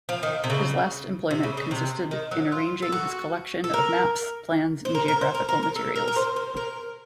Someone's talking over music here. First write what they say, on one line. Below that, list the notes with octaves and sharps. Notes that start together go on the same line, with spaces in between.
His last employment consisted in arranging his collection of maps, plans and geographical materials.
F3
D#3
C3
C#3
C3
C#3
C#3
C3
D#3
F#3
F4
A4
F#4
A4
A#4
C5
A#4
A#4
C5
A#4
A#4
A#4
A4
A#4
A#4
C5
C5
A#4